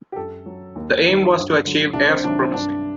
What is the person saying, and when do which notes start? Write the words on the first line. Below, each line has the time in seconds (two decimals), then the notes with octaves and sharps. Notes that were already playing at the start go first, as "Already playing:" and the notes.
The aim was to achieve air supremacy.
0.12 G4
0.16 F#2 A4
0.46 F#3
0.76 D#2
1.05 D#3 F#3
1.35 G2
1.64 D3 F#3
1.93 C2 D4
2.08 C4
2.24 C3 D#3 F#3 D4
2.39 C4
2.53 G2 D4